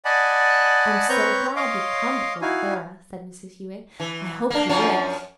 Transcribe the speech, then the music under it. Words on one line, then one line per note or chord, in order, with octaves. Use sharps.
'I'm so glad you've come before Clara,' said Mrs. Hewett. 'I hoped you would.
D5 D#5 F#5 G#5 A5 B5
C4 B4 C#5 A#5 C#6 G6
C#5 D#5 F5 C6 D6
D#4 E4 F#4 F5 G#5
E3
A#3 D4
F#2 F3 C#4